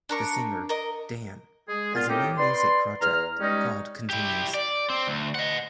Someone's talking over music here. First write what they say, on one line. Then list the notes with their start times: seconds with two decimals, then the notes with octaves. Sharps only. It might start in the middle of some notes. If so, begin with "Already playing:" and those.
The singer, Dan, has a new music project called "Continues".
0.09 D4 A#4 C#6
0.69 A#4 D#5
1.68 G#3 G#4
1.94 A#2 B3 F4
2.08 A2 C4 D#4 G4
2.38 B4 D5 C6
3.01 E2 A#5 F6
3.40 G3 G#3 C#4 D#4
4.10 E4 G4
4.54 D5
4.90 C4
5.07 D2
5.35 D#5 F#5